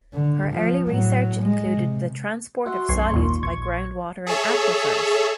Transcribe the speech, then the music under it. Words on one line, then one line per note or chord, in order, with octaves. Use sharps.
Her early research included the transport of solutes by groundwater in aquifers.
D3
F3
A2 F#3
G#3
C3
F#4 E5 F#5 C6
B1 F#2 C#6 G#6 C7
G#1 D#2 A#2
A#1 C#6 G#6
G#4 A4 C#5 E5